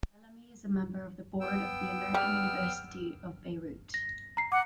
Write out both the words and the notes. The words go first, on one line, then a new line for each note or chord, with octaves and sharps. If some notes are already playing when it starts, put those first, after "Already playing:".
Bellamy is a member of the Board of the American University of Beirut.
B3 G5 E6
G3 F6
A#6
A#5 C7
F#5 D6